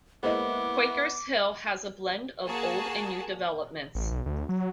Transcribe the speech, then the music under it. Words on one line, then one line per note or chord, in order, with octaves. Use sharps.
Quakers Hill has a blend of old and new developments.
G#3 A#3 B3 E4 C5 D#5 D6
A#3 F#4 G#4 A5
A1
B1
D2
F#3